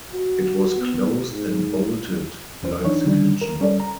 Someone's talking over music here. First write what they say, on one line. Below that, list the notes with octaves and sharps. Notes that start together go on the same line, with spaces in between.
It was closed and bolted like the kitchen.
F#4
B3
G#2
E2 C#4 C5
E3 D4 D#4 C#5
D3 D#3 G3 C#4 D4
A#4
G3 C#4 A4 D5
A#5